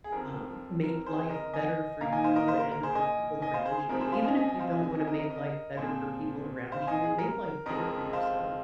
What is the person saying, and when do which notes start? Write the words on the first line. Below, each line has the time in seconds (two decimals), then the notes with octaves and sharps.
um, make life better for you and for people around you? Even if you don't wanna make life better for people around you, make life better for yourself.
0.04 G#4
0.12 F2 F3 C4 A#4
0.83 A#4
1.06 G#4 C5
1.30 A#4 D#5
1.53 D#5 G#5
2.01 A#2 A#3 F5 A#5
2.12 D#5 G#5
2.24 C5 F5
2.36 A#4 D#5
2.48 C5 F5
2.60 A#4
2.71 A#4
2.83 G#4 C5
2.95 D#5 G#5
3.42 D#5 G#5
3.54 C5 F5
3.65 G#4 C5
3.78 G#4
3.89 C3 F3 C4 A#4
4.01 G#4 C5
4.12 C5 F5
4.24 D#5 G#5
4.36 D#5 G#5
4.48 D#5 G#5
4.59 C5 F5
4.72 D#5 G#5
4.83 D#5 G#5
4.95 D#5 G#5
5.07 A#4 D#5
5.19 A#4 D#5
5.30 A#4 D#5
5.77 A#2 F3 C4 G#4 C5
6.72 C5 F5
6.87 D#5 G#5
7.04 G#4
7.19 A#4
7.66 F2 F3 G#3 A#4 D#5
8.13 C5 F5